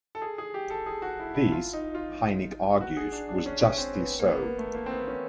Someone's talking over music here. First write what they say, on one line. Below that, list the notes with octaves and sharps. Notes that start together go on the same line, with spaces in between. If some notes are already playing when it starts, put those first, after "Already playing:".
This, Heynick argues, was justly so.
A4
G#4
G#4
G4
A4
G#4
F#4
E4
E4
F4
D#4
F4
F#4
G#4
D4
D4
C#4
C#4
C4
B3
A#3
B3
A#3
A3
A#3
C4
B3
C#4